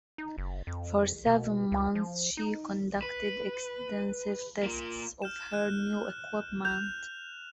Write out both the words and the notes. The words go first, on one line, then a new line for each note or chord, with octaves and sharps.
For seven months she conducted extensive tests of her new equipment.
D#4
F#1
F2
B2
C#2
F3
D#4
B4
A#3 F4
F6 G6 E7
F#6 E7
F#6 G6 F7